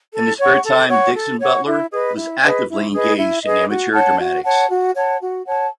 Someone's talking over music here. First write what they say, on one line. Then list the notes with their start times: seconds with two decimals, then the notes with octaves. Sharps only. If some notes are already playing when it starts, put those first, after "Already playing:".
In his spare time Dixon Butler was actively engaged in amateur dramatics.
0.13 A4
0.39 C#5 F#5 C#6
0.64 A4
0.89 C#5 F#5 C#6
1.15 A4
1.40 C#5 F#5 C#6
1.66 E4
1.91 G#4 B4 D#5
2.16 E4
2.42 G#4 B4 D#5
2.67 E4
2.92 G#4 B4 D#5
3.18 E4
3.43 G#4 B4 D#5
3.69 F#4
3.94 C#5 F#5 A5
4.19 F#4
4.45 C#5 F#5 A5
4.70 F#4
4.96 C#5 F#5 A5
5.21 F#4
5.46 C#5 F#5 A5